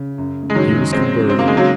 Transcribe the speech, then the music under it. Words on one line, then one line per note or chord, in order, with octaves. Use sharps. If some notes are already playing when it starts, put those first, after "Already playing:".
He was converted.
Already playing: C#3
F#2
C#3
G#3
D#3 F#3
F#1
F3 G#3 C4
F#2
C4
C#3 A#3
G#3
F#3 A#3